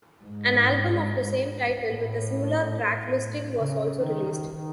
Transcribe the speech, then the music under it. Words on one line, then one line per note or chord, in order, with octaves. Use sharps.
An album of the same title with a similar track listing was also released.
G#2
A2
C#3
D#3
D#3